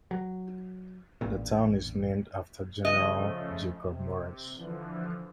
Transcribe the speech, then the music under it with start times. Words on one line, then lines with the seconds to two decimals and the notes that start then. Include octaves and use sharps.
The town is named after General Jacob Morris.
0.11 F#3
1.21 A1 E2 G2 A#2
2.85 C#3 F3 A3 D#5
3.89 C3
4.55 D3 E3 F3